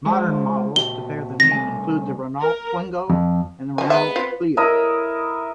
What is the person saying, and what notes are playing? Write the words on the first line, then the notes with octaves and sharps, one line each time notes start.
Modern models to bear the name include the Renault Twingo and the Renault Clio.
G#3 F4 C5
A#2 F#4 G4 G7
E2 C3 A#6
C2 A3 G#5
A#4
F2
F2 B2 F3 G#5
G#3 B3 E5
C4 F4
E4 A#4 D#5 E5